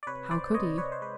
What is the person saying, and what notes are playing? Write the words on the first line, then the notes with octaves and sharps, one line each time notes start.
How could he?
D5
C3 B4 C#5
C5 D5
C3 C#5 D#5
B4 C#5
C5
G#3 B4